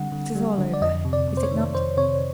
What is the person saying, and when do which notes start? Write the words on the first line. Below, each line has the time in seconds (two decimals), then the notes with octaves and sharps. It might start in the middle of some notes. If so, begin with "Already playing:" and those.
It is all over, is it not?
Already playing: D3 G3 C4 F#5
0.12 D3
0.35 G3
0.58 D3
0.73 D5
0.81 F2 D#5
1.05 C3
1.13 D5
1.28 C3
1.37 C5
1.43 C#5
1.51 D#3
1.74 F2 C5
1.97 C3 C#5